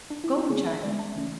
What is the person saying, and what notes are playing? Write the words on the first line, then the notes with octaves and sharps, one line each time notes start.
Golden child.
D4
E4
F#4
D3 A3 C#4 G#4
E5
D3 G#3 B3 D5
A5
C#3 E3 A3 C#4